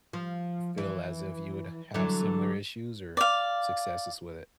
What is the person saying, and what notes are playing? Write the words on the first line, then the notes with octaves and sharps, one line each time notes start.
f feel as if you would have similar issues or successes with it.
F3
E3
D3 E3 F#3
D5 F5